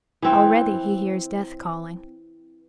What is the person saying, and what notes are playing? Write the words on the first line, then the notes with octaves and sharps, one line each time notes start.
Already he hears death calling.
E3 C4